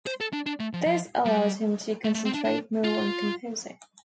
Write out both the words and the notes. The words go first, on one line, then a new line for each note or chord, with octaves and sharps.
This allowed him to concentrate more on composing.
C5
A4
D4
D4
A3
F3
F3
G3
A3
A3
C4
D4
D4
F4